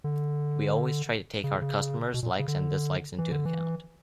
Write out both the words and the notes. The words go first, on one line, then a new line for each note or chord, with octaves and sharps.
We always try to take our customers’ likes and dislikes into account.
D3
C#3
C#3
B2
A#2
C#3
D3
E3
D3
E3